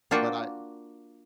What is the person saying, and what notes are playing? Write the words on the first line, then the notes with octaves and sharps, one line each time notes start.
But I
A#3 D4 F4 F#4 G5